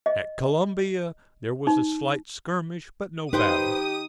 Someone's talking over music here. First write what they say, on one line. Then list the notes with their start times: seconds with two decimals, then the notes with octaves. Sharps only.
At Columbia there was a slight skirmish but no battle.
0.06 D#5
1.67 D#4
3.33 D#4 G4 B4 C5 G5 D#6